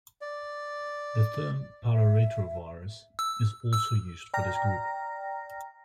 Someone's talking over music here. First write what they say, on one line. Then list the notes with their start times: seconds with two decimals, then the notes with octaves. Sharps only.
The term "pararetrovirus" is also used for this group.
0.21 D5
1.92 E5
3.19 E6
3.74 E6
4.34 D5 G5 A#5 F6 A#6